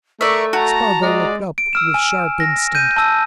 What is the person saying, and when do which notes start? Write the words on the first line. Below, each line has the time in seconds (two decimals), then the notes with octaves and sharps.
Spargo looked up with sharp instinct.
0.21 A3 A#4 D5 E5 C#6
0.53 F#4 A5 A#5
1.02 G#3 D5
1.58 D7
1.73 E6 F6 E7
1.94 G#5
2.40 A#6
2.75 G6 D#7
2.97 A5 E6